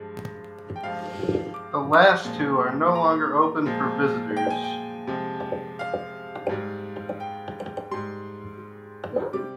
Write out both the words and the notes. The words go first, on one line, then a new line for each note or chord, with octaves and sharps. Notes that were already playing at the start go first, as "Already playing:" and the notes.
The last two are no longer open for visitors.
Already playing: G2 F3 G#3
G5
G2 F3 G#3 F5
D6
A#2 F3 G#3
A#5
A#2 F3 G#3
G5
G#5
G5
C3 F3 G#3
F5
G#2 G3
G5
G#2 G3 C6
C3 G3 D6